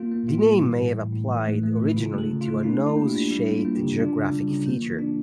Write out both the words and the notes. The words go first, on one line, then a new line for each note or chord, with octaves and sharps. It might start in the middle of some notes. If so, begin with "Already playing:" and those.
The name may have applied originally to a nose-shaped geographic feature.
Already playing: A#3 F4
A#3
A2 F4
G3
E3 E4
A2
A2
A2
E3
A3
A3
E3
E4
C#3 F4
A3
A4
C#3
F4
A3
D4 E4
D4
E4
A#3
G4
F4
D4
G3 E4
A#3
F4
A#3
G4
C#3
D4 F4
C#3
G3
C#3
A#3
E3
D4